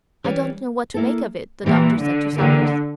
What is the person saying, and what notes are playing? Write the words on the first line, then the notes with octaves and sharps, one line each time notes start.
"I don't know what to make of it," the doctor said to Saunders.
E3 G3 C#4
A#3 E4 A4
A#2 E3 G3 A#3 E4 G4
D3
D3 E3 A#3 E4 G4 A#4